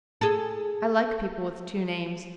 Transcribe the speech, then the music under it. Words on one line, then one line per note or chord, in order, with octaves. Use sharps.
I like people with two names.
G#4 A4